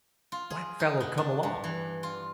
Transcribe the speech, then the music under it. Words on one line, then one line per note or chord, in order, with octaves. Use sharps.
"Black fellow come along."
F4
G#4
D#4
B3
D4
G2
E3
F4